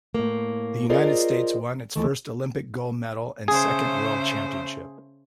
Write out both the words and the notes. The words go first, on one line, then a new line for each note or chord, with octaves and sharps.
The United States won its first Olympic gold medal and second World Championship.
A2 A#3
F4 G#4 A#4 C5 D5 D#5
D#2 E3 A3
C#3 A3 G#4 C5